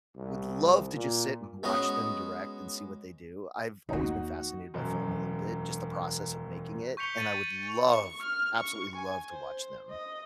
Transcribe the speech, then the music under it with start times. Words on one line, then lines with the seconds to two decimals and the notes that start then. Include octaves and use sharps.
would love to just sit and watch them direct, and see what they do. I've always been fascinated by film a little bit, just the process of making it, and I would love, absolutely love, to watch them,
0.17 C2
0.94 A#2
1.63 G#3 B3 C#4 F#4 D#5
3.89 D#2 A#3 D#4 F#4
4.74 E1 F#2
6.97 C#6 G6 B6 C#7 F7 G7
7.18 A6 D#7 F#7
7.90 C#6
8.22 F6
8.59 C#6
8.96 G#5
9.31 C5
9.90 D#5